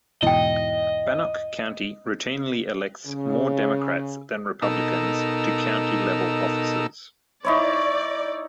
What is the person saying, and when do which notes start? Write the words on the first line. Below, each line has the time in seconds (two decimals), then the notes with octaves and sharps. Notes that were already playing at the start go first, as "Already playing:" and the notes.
Bannock County routinely elects more Democrats than Republicans to county-level offices.
0.23 E2 G#2 B2 E4 D#5 G5
3.06 C#3
4.62 B2 D#4 A4 A#4 E6
7.45 D#4 E4 C#5 D5